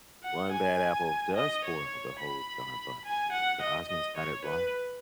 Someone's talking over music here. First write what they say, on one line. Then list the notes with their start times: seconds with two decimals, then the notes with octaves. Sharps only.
One bad apple does spoil the whole darn bunch. The Osmonds got it wrong.
0.24 F#5
0.51 G#5
1.35 D#5
1.64 C#5
2.20 B5
3.05 G#5
3.32 F#5
3.61 D#5
3.89 D#5
4.17 C#5
4.45 B4